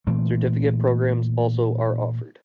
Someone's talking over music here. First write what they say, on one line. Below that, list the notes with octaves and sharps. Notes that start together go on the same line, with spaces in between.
Certificate programs also are offered.
A#2 E3 A3 C4